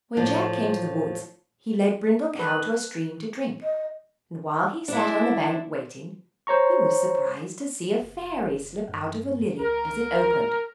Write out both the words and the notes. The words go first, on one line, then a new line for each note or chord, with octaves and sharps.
When Jack came to the woods he led Brindle Cow to a stream to drink, and while he sat on the bank, waiting, he was surprised to see a Fairy slip out of a lily as it opened.
A2 F3 D4
D4 B4
D#5
D4 E4
C5 C#5 A#5 C#6
F#1
G2
C#2 A#4